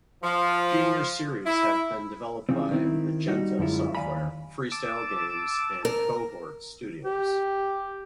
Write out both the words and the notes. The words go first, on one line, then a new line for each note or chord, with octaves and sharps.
Junior series have been developed by Magenta Software, FreeStyleGames, and Cohort Studios.
F3
E4
C#3 E3 F3 C4
D#3 C4 E4
G3 D#4 F#4
F#2 D3 G#3 E4 F4
D#2 D5 F5 G#5 A#5 B5
A5 D6 E6
A#4
G4